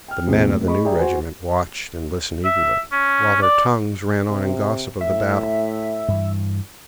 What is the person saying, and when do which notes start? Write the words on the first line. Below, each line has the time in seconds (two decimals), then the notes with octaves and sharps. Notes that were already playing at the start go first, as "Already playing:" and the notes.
The men of the new regiment watched and listened eagerly, while their tongues ran on in gossip of the battle.
0.08 G5 F6
0.27 D#1 C3 G#4
0.49 F1
0.66 G#4 D#5 B5 C#6
0.85 G#4 D5 E5 G5 A#5
0.99 F#4 C5 F#5 G#5
2.45 E5
2.92 C#4
3.42 D5
4.29 C3
5.01 A2 E5
6.08 G2 E3